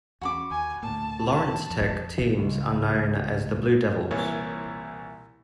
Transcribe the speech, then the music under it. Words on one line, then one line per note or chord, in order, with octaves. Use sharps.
Lawrence Tech teams are known as the Blue Devils.
E2 C#4 F#4 B5 D6
D#2 G#5
D2 A2 A#3 A5
F2 F3
C#2
C2 A#2 E3 C#5